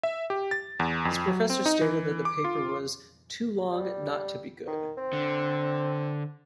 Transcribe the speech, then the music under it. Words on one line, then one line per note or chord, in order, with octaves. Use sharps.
His professor stated that the paper was "too long not to be good".
E5
G4
A6
E2
F2
F#3
C4
D#4
E3
D6
F4
G3
D#3
C4
D3